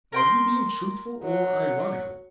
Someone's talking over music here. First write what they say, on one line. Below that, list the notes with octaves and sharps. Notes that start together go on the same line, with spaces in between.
Are you being truthful or ironical?
A#4 G5 C6
F#3